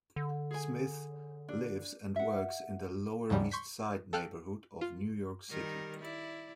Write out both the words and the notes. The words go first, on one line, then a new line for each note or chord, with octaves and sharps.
Smith lives and works in the Lower East Side neighborhood of New York City.
D3
G#4 G#5
D4
E5 F#5
D#2 G#2 C#3 F3 G3
C6 C#6 G6 B6
A4 F5 G5 F6 F#6
F4
D#3 G3 A#4
E4 D5